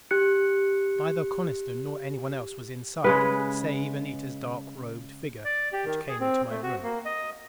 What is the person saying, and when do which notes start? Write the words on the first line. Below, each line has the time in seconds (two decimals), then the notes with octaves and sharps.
Neither Coniston nor anyone else was in sight, save Anita's dark-robed figure which came into my room.
0.11 G4 F#6 C#7
3.04 C#3 G#3 B4
5.45 D5
5.73 G4
5.85 D#3
6.09 G#4
6.20 C4
6.51 A3
6.63 F#4
6.83 A#3
7.05 D#5